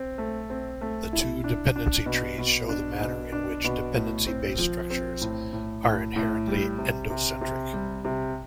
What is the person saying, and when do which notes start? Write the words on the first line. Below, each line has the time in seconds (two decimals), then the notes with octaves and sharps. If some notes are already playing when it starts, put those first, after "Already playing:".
The two dependency trees show the manner in which dependency-based structures are inherently endocentric.
Already playing: C4
0.18 A3
0.50 C4
0.81 A3
1.13 E4
1.44 D4
1.76 D4
2.06 B2
2.38 B2
2.69 D4
3.01 B2
3.32 D4
3.64 B2
3.96 A2
4.27 C4
4.58 F3
4.90 C4
5.21 A2
5.53 A2
5.84 A2
6.16 A2
6.47 G3
6.78 C3
7.10 C3
7.41 C3
7.73 G3
8.05 C3